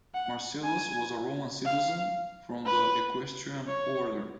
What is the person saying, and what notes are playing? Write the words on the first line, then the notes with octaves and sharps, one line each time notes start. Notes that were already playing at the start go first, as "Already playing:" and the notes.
Marcellus was a Roman citizen from the Equestrian order.
F#5
G#5
F5
B4
C#5